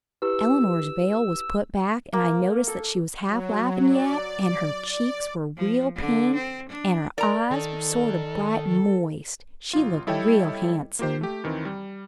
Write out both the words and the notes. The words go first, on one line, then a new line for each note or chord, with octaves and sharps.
Eleanor's veil was put back, and I noticed that she was half-laughin' yet, and her cheeks were real pink, and her eyes sort of bright and moist--she looked real handsome.
E4 G4 B4 E6
A#3
A4
F#3
D5
D5
F3
D3
C4
D4
A#4 D5 A#5
D#3 A4
A1 F4
G3 E4 A4 C#5 D#5 G5
A#3 F4 G4 C5
A3 G4
D2 D#3 E3 C4
G3